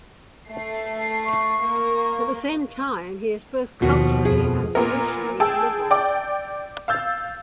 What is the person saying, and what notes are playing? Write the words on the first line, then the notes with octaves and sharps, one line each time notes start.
At the same time he is both culturally and socially liberal.
A3 C7
C#6
A#3 A#4
D#2 B2 F3 F#4
F2 G#4
A#2 B3 A#4
G#4 G5 A5 E6
D5 G5 D6
F5 E6 G6 A6